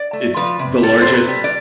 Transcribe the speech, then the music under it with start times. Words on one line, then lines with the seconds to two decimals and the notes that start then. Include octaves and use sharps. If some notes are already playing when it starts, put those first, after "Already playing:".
It's the largest
Already playing: D5
0.13 A3
0.37 F3 B4
0.59 C3
0.83 G3 A4
1.02 C3 C5
1.13 B4
1.28 G3
1.44 D5